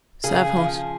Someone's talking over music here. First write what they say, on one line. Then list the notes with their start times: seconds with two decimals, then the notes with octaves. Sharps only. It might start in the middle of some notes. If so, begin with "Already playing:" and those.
Serve hot.
0.24 C#3 G#4
0.56 F3